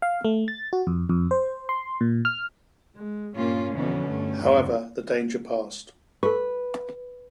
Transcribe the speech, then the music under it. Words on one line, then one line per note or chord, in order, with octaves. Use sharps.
However, the danger passed.
F5
A3
A6
F#4
F2
F2
C5
C6
A#2
F6
G#3
G2 A#2 A#3 C#4 F4
F2 B2 D3 E3 C#4
G2 A3
F#1 E2 D3
A4 B4 C#6